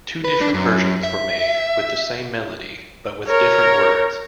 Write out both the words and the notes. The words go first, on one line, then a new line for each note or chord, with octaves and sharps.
Two different versions were made with the same melody but with different words.
B4
D4
F#2
E5
A#4 C#5